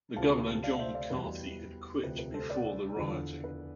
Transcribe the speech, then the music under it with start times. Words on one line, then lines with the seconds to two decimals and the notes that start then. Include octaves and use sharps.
The governor, John McCarthy, had quit before the rioting.
0.16 D2 C3 F3 F5 A5
0.63 D5 F5
0.79 C5 E5
0.94 D5 F5
1.10 E2 B2 G3 B4
2.03 D2 C3 F3 B4
2.19 B4
2.34 A4 C5
2.50 B4 D5
2.97 E2 D3 F3
3.44 B4